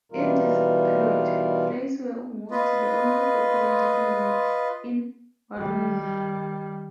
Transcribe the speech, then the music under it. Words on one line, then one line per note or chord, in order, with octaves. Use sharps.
In this period, plays were almost the only popular entertainment in Wallonia.
B2 E3 G3 D#4 F4 A#4
F4 B4 D#5
D#3 G3